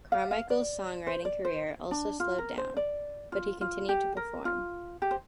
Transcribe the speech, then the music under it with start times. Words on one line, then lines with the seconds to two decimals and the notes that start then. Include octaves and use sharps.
Carmichael's songwriting career also slowed down, but he continued to perform.
0.12 F5
0.31 F5
0.50 D5
1.07 C5
1.25 D5
1.45 C5
1.91 D4
2.20 F4
2.38 A#4
2.57 C5
2.77 D5
3.32 F4
3.61 F4
3.89 G4
4.17 A#4
4.45 F4
5.02 G4
5.11 C5